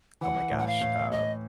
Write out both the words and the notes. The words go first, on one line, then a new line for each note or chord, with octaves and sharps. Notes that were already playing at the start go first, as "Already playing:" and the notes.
oh my gosh, uh,
E3 F#5
A2
F#5
F5
A2
A2 D#5